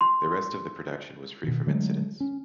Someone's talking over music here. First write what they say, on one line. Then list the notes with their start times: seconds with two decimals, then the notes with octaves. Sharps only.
The rest of the production was free from incidents.
0.01 C6
1.44 B2 D#3
1.67 D3 F#3 G#3 A3
2.20 C#4